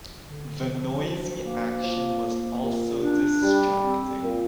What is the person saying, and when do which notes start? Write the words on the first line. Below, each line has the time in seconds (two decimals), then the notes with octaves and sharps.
The noisy action was also distracting.
0.21 D3
0.61 F3
1.01 D2
1.42 A#3
1.82 F3
2.22 A#3
2.62 A#2
3.03 D4
3.42 G3
3.82 C4
4.23 A#2